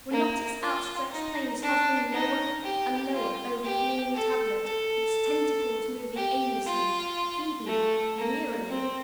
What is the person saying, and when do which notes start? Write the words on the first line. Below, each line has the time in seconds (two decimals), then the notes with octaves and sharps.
Were not its outstretched planes hovering lower and lower over the gleaming tablet; its tentacles moving aimlessly, feebly--wearily?
0.11 A#3
0.61 F4
1.12 D#4
1.62 D4
2.12 D#4
2.63 G4
3.14 F4
3.64 G4
4.14 A4
4.64 A4
6.16 G4
6.66 F4
7.67 A3
8.18 A#3
8.68 C4